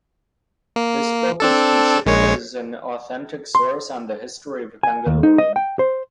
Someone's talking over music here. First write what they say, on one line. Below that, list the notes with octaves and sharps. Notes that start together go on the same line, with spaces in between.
This book is considered as an authentic source on the history of Bengaluru.
A#3
C4 D4 A4
A#1 G#3 C#5
C6
G#5
D#2
D#4
D#5
G5
C5